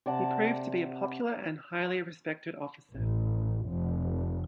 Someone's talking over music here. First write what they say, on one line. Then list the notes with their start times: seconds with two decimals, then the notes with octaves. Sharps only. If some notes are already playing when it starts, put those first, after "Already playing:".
He proved to be a popular and highly respected officer.
0.06 C3 D5 F#5 A5
2.95 A1
3.67 F1